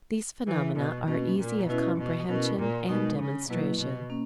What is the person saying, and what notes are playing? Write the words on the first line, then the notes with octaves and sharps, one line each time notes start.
These phenomena are easy of comprehension and demonstration.
E3 E4 B4 E5
B2
B2 A#3 C#4 F#4 B4
A#2
B2 C#4 E4 B4 E5
B2
B2 C#4 E4 A#4
A#2
B2 G#3 D#4 A#4
C#3
B2 F#3 A#3 E4 B4
B2
A#3 C#4